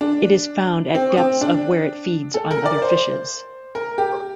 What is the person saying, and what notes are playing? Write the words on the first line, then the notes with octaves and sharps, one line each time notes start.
It is found at depths of where it feeds on other fishes.
D4
C4
C4
D4
A4
A#4
D5
C5
A#4
G4